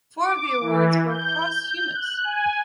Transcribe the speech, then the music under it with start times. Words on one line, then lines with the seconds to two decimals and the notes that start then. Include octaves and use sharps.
Four of the awards were posthumous.
0.20 D6
0.61 E3
1.08 G6
1.92 F#6
2.24 G#5